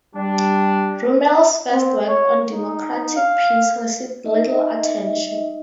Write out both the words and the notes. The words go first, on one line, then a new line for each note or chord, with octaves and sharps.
Rummel's first work on democratic peace received little attention.
G3 D4
C4
C#5
D#4
F5
D#4 D#5 E5